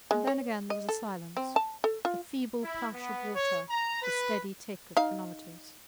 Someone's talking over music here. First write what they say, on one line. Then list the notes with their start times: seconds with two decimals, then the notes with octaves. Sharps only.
And then again there was a silence, the feeble plash of water, the steady tick of chronometers.
0.11 G#3
0.27 C#5
0.70 D#5
0.89 A4
1.37 C4
1.56 A5
1.84 A4
2.05 F4
2.63 E4
2.94 B3
3.34 C#5
3.68 A#5
4.02 B4
4.97 D#4 F5